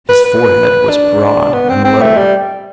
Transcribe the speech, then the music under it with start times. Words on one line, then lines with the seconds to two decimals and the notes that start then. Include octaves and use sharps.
His forehead was broad and low.
0.10 B4
0.25 B4
0.89 D4
1.53 B3
1.69 C4
1.85 C4
2.01 A3
2.17 G3